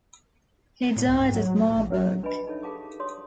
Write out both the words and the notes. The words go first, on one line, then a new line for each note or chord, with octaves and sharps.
He died at Marburg.
A2
C2
G#2
F#3
A2
A#1
F#3
D4 B4 D5 D#5 G#5 B5
D#4 A4 C#5 E5
G4 G#4 F5 A5 D6 D#6
F#4 C#5 D5 C6 D#6